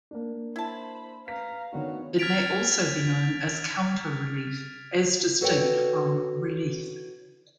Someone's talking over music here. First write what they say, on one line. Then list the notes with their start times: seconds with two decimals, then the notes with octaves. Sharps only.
It may also be known as counter-relief, as distinct from relief.
0.11 A#3 D4
0.56 E4 C5 A5 B5
1.27 B4 F5 A#5 B6
1.73 D#3 B3 D4 F#4 C#5
2.19 F6 G#6 A6 B6 D7 F7
5.41 F#4 A4 B4 C#5 D5 G5